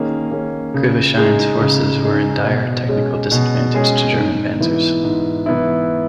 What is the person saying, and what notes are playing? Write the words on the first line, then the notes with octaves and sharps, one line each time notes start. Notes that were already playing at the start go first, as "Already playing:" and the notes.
Krivoshein's forces were in dire technical disadvantage to German panzers.
Already playing: D#3 A#3 C#4 G#4
A#3 C#4 G#4
C#3
G#3 D#4 G#4
C#3
G#3 D#4 G#4
B2
G#3 C#4 G#4
B2
G#3 C#4 G#4
G#2
E3 B3 E4
G#2
E3 B3 E4